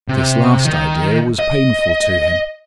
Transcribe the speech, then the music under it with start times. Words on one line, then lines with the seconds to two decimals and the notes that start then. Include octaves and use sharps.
This last idea was painful to him.
0.08 C3
0.65 D#3
1.39 D#5